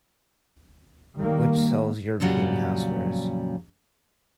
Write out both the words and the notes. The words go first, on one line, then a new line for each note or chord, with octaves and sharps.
Which sells European housewares.
D#3 G3 A#3
F2 A#2 C#3 F#3 G3